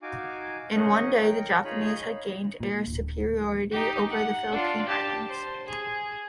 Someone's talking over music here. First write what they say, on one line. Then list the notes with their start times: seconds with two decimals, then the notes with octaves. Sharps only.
In one day, the Japanese had gained air superiority over the Philippine Islands.
0.02 D#4 F#4 F5 G#5 D6
0.75 C#4 D#4 G#4 A#4 D#5 F#5
1.22 A#4 G5
1.64 D#4 F4 G#4 C#5 D#5 B5
2.60 A#2
2.88 D1
3.71 D#4 G4
4.09 F#5
4.52 D4 F4
4.86 G4 A5
5.28 C5
5.67 G#4